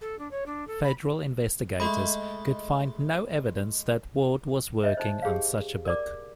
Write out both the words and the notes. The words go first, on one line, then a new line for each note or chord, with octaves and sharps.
Federal investigators could find no evidence that Ward was working on such a book.
A4
D4
C#5
D4
A4
B5
G#3 A3 D#5 B5
C#5 D#5 E5
D#4 C5
G4 G#4 C#5 F5
A#4 D5 D6